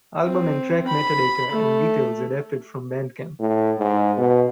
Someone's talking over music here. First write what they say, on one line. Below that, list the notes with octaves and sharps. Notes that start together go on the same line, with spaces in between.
Album and track metadata and details adapted from Bandcamp.
C4
B5
A3
A2
G#2
B2